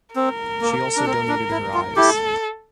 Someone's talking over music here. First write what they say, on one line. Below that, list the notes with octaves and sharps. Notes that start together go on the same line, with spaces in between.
She also donated her eyes.
C4 A#4
A#3
D4
C4
D4
E4
F4
E4 G4 A4